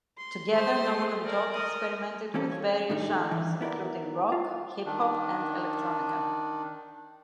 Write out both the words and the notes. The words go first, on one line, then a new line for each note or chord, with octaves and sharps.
Together, Nobel and Doc experimented with various genres including rock, hip-hop, and electronica.
C6
G#3 C5 C6
G#3 A3
A#4 D5
A#4 D#5
E3 A#3 C4 C#4 A4
C#5
A2 D#3 G3 A3 D4 D#4
E3
B3 E4 A#4 D5
F4
D#3 D4